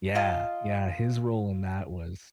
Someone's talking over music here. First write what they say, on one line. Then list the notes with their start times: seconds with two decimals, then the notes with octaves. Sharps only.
Yeah, yeah. His role in that was
0.15 F4 D#5 F5 A5